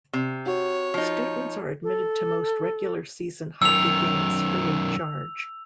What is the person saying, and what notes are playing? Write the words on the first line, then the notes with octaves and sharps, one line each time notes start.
Students are admitted to most regular season hockey games free of charge.
C3
F#4 C#5
F3 D#4
A4
F#2 D#3 E6 F7